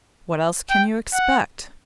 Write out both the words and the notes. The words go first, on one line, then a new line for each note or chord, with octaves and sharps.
'What else can you expect?'
G5
F#5